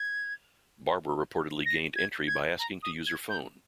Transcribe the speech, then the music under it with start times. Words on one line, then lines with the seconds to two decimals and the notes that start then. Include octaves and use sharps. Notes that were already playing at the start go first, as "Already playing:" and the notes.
Barbara reportedly gained entry by asking to use her phone.
Already playing: G#6
1.66 A#6
1.96 G#6
2.27 G#6
2.59 A#5
2.83 D#6
3.07 G#6
3.29 G6